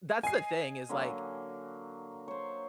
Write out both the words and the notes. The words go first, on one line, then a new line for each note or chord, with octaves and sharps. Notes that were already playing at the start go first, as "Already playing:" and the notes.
That's the thing is, like,
D#5 G#5 C7
D3 F#3 A#3
C5 C#5